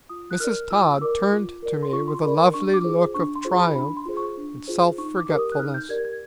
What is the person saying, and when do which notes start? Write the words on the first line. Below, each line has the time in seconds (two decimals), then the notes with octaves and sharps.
Mrs. Todd turned to me with a lovely look of triumph and self-forgetfulness.
0.09 F4 D#6
0.31 F#6
0.40 A#4 D5 F6
0.70 F4 E6
1.01 A#4 D5 D6
1.32 F4
1.63 A#4 D5
1.83 C6
1.92 F4 C#6
2.08 C6
2.23 A#4 D5 B5
2.38 C6
2.54 D4 C#6
2.74 D6
2.84 F4 G#4 C5
3.15 D4 C#6
3.36 C6
3.45 F4 G#4 C5
3.55 B5
3.75 D4 B5
3.97 C6
4.06 F4 G#4 C5
4.17 C#6
4.37 D4
4.67 F4 G#4 C5
4.98 D#4 C#6
5.18 D6
5.28 G4 A#4 D5
5.39 D#6
5.52 F#6
5.59 D#4 F6
5.74 G6
5.89 G4 A#4 D5 G#6
6.05 G#6